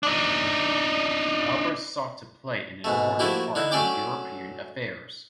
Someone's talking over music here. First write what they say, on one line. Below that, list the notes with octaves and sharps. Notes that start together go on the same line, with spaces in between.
Albert sought to play an important part in European affairs.
D4 D#4
G#2 B2 A3
F3 A3 A#3 E4 F#4 G4
D3 D#4 E4
F#3 A3 C#4 D5 G5 D6